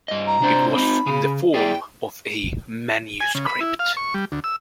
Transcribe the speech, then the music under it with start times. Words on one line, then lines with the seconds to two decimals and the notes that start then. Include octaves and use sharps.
It was in the form of a manuscript.
0.08 G2 D#5
0.26 A#5
0.40 C3 D4 C5
0.75 C4 D#4 B5
1.06 C#3 G#4
1.54 E4 G#4 D5 G5
3.20 G#5
3.35 C#3
3.47 B5
3.61 E4
3.79 F5
3.97 C#6
4.14 G3
4.32 D2
4.44 E6